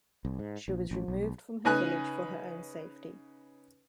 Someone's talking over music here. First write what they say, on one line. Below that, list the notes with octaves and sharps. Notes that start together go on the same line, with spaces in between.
She was removed from her village for her own safety.
C2
G#2
A#1
A1
B1
C#3 D#4 B4 G#5 F#6